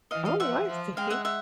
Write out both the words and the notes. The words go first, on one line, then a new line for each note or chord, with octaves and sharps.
Oh, I see.
E3 D#5 F5
D#5 F5
F3 E5 F#5
F3
G#3 F5 G5
E5 F#5
E5 F#5